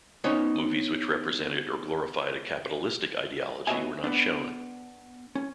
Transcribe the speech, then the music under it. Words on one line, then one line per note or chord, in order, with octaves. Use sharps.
Movies which represented or glorified a capitalistic ideology were not shown.
B3 C#4 D#4 C5 C#5
B3 F#4 C#5 D#5 E5 G#5
B3 D4
C#4